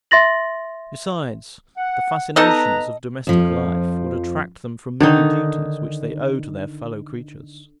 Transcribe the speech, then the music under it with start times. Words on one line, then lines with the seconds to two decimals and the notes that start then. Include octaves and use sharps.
Besides, the fascinations of domestic life would attract them from many duties which they owe to their fellow creatures.
0.11 E5 C6 A6 A#6 F#7
1.77 F#5
2.36 B3 D#4 A4 B4 D#5 A#5
3.27 F2 F3
5.00 D3 D#3 D#4